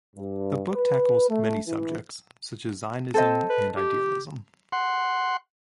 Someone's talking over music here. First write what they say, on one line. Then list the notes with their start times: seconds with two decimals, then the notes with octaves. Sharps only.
The book tackles many subjects, such as Zionism and idealism.
0.16 G2
0.73 B4
1.29 A3
1.66 E3
3.14 C4 A4 C5 D#5
3.49 B4
3.76 G4
4.72 F#5 C6